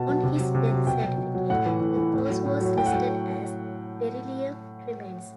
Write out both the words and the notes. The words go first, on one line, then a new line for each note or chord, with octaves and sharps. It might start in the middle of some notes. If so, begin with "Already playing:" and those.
On his death certificate, the cause was listed as delirium tremens.
Already playing: B2 A5
F#3
C3
F#3
C3
F#3
B2 G5
F#3
B2
F#3
A2 F#5
E3
A2
E3
A2
F#3
A2
F#3
A2 G5
F#5
F#3 G5